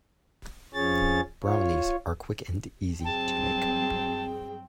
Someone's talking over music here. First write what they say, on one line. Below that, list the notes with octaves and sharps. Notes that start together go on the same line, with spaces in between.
Brownies are quick and easy to make.
F2 F3 C#4 G#4 C#5 A6
F4 C#5
G2 F#3 C4 G#4 G5 A5